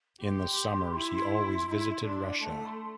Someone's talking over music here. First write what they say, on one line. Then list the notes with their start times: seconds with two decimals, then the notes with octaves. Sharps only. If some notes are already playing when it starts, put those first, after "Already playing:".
In the summers he always visited Russia.
0.22 G4 C6
0.96 E4
1.69 E4
2.05 D4
2.42 A3 A5
2.66 C6